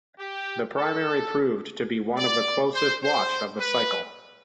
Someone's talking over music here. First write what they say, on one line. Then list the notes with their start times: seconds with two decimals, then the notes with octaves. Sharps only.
The primary proved to be one of the closest watched of the cycle.
0.19 G4
0.76 A4
2.17 D5
2.74 C5
3.03 C5
3.59 B4